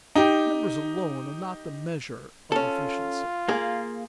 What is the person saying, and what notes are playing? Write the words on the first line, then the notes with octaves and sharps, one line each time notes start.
Numbers alone are not the measure of efficiency.
D#4 G4
C#4 F4 A4
A#3 G#4